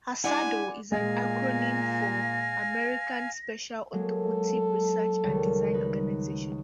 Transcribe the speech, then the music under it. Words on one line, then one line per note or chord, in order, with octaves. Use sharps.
"Asardo" is an acronym for "American Special Automotive Research and Design Organization".
G#3 D4 E4 G4 D5 F#5 G#5
A#2 G#3 F5 G#5 A#6
F#3 G#3 A#3 A4
C#2 D#3 G3
D#4 B4